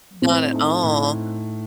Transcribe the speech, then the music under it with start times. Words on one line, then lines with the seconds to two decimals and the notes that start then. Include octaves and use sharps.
Not at all.
0.22 A2 C4
0.52 A3 D#4
0.83 A2